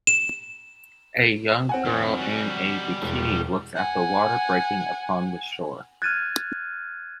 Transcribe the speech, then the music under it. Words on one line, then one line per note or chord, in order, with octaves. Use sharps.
A young girl in a bikini looks at the water breaking upon the shore.
E7
C4 F#5 G#5
F2 D#3
G3 F#4
E1
F#5 G#5
F6 F#6 G#6 A6 D#7